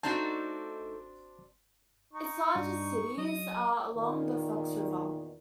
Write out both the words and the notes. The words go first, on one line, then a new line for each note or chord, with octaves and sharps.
Its largest cities are along the Fox River.
A3 C4 D4 D#4 F#4 A5 G6
D#4 C#6
G2 G3 D4
F#3 D#5
E2 A#2 D#3